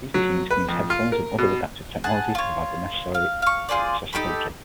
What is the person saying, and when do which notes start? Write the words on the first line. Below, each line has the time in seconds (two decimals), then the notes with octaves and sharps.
These machines can use headphones and other adaptive technology to provide the necessary accessibility.
0.14 F#3
0.51 B4
0.69 F2
0.90 F4
1.12 A#4
1.39 B2
2.04 G#4 F#5 A5
2.35 F4 C#5
3.14 F5
3.42 F5 C#6
3.69 F4 G#4 C5 D5
4.13 D#4 G4 A4 B5